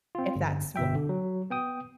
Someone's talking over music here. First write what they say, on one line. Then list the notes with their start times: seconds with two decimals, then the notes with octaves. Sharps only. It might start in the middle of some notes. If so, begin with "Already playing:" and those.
if that's wh
0.15 C4 F4
0.36 G1
0.76 G1 B2 E5 G5
0.95 D3
1.09 F#3
1.50 B3 G5 D#6